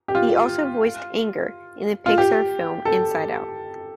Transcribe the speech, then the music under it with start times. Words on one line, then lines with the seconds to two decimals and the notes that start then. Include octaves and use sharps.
He also voiced Anger in the Pixar film "Inside Out".
0.08 G4
0.15 F4
2.06 F4
2.18 G4
2.85 A4